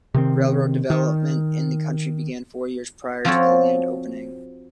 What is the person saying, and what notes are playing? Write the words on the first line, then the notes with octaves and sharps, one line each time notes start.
Railroad development in the county began four years prior to the land opening.
C3 D#3 C4
D#3
F3 C4 F4 F#4 A4 C#5